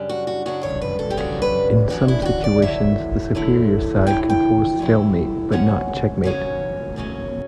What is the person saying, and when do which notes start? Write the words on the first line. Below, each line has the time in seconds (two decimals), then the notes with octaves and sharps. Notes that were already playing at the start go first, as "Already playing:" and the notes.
In some situations the superior side can force stalemate but not checkmate.
Already playing: F#2 C#3 G3 D4
0.09 F#4
0.27 F#4
0.46 F#2 C#3 G3 D4 F#4
0.63 C#5
0.82 B4
0.99 A4
1.10 G4
1.17 F#2 C#3 G3 D4 F#4
1.42 B4
1.89 F#2 C#3 G3 D4 F#4
2.08 E4
2.22 G4
2.25 F#4
2.44 D5
2.62 D3 F#3 A3 E4 E5
3.35 D3 F#3 A3 E4
4.07 D3 F#3 A3 E4 G5
4.30 G5
4.79 D3 F#3 A3 E4
5.52 F#2 C#3 F#3 C#4 F#5
6.24 F#2 C#3 F#3 C#4
6.96 F#2 C#3 F#3 C#4